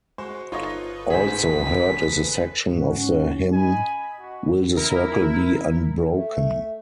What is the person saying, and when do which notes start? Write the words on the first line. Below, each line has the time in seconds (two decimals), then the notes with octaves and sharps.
Also heard is a section of the hymn "Will the Circle Be Unbroken".
0.18 G#3 F#4 C5
0.52 G1 D#4 F4 A4 B4 C#5 D#5
1.10 A1 D2 G#2 G#4 C5 B6
2.73 G#2 C#4 F#4
3.52 D#5 G#5 B5
4.19 F#4
4.77 E4 A#4
6.16 A3